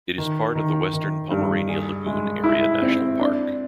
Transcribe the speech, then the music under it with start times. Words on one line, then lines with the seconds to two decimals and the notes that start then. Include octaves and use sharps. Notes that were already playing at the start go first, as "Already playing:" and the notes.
It is part of the Western Pomerania Lagoon Area National Park.
0.18 D#3
0.55 D#3
0.93 D#3
1.31 G2
1.68 G#4
2.06 G#3
2.43 E4
2.82 C4
3.20 D4